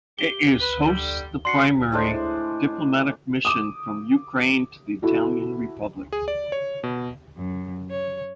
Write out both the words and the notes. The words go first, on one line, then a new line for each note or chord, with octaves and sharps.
It is hosts the primary diplomatic mission from Ukraine to the Italian Republic.
G4 G7
B4
D3 G3
D4 F#4 C6 C7 C#7
A2 G#3 D4 C5
D6 D#6
E4 F#4 A4
G#4
D5
C#5
B2
F#2
C#5